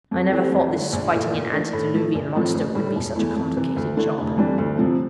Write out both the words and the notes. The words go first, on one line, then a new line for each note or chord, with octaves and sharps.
I never thought this fighting an antediluvian monster would be such a complicated job.
F2
E3 A3 C4 G4
F2
D3 A3
A#1
A#2 A3 E4
A#2
A3 D4 A4
A2
F3 A3
A#1
A2 F3 C4
A1
A2 G3
E1
E2 E3 A3 E4
F2
C3 E3
D2
D3 A3 E4
F1
F2 E3 G3 D4
D2
C3 F3 C4